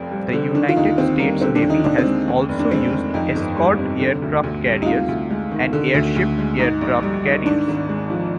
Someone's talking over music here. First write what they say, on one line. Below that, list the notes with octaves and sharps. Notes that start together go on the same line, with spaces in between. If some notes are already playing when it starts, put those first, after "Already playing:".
The United States Navy has also used escort aircraft carriers and airship aircraft carriers.
Already playing: F1 F2 C4
G3
D3
D#3 D4
F4
D#2 D#4
D#2 C4
G3 A#3
D3 C4
D4
D#2
D#4
D#2 D4
C4
G#3
D#2
F1
D4
G#3 C4
D#3
F2 D#4
G1
G3
C3
D3
D2
D2
G3
D#4
C3 F4
D2
G#3
D#3
D3
D2
D2
G#3
G#2 D#4
A#1
G3
D#3
G#2 D4
G#1
G#3
F3